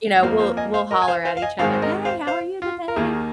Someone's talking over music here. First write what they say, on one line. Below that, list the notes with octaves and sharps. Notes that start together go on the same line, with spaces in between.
you know, we'll we'll holler at each other, "Hey, how are you today?"
F2 F3 A#3 C5 F5
C5 F5
D#5 G#5
C5 F5
A#4 D#5
G#5
C5 F5
C5 F5
F5
D#5 G#5
G#1 G#2 D#3 G#3 C5 F5
C5
A#4 D#5
C5 F5
C5 F5
F4
A#4
D#2 D#3 A#3 G#4